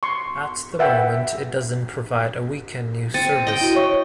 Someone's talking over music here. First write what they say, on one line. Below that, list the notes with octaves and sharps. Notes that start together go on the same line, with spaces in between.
At the moment it doesn't provide a weekend news service.
C6 C#6
B4 E5 F#5 G5
C4 A6 C#7 D#7
D#5 G5
E4 F#4
C#5 E5 C#6